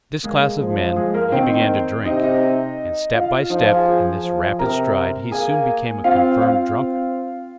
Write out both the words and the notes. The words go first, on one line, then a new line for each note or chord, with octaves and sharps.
With this class of men he began to drink, and step by step in this rapid stride he soon became a confirmed drunkard.
G#3 A#3 G#4
F3
G#3 G#4
A#3 A#4
D#3 C4 C5
C3 D#4 D#5
D#4 D#5
F4 F5
F3 D#4 D#5
F4 F5
G#4 G#5
G#4 G#5
F3
C3 A#4 A#5
A#3 G#4 G#5
C4 F4 F5
F4 F5
C4